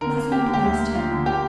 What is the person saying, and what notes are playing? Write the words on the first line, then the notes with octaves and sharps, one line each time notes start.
Nothing pleased him.
D3 A#4
A#3
A#3 G4
D3
G4
D2
A#3
D3 F4
D3
A#3 G4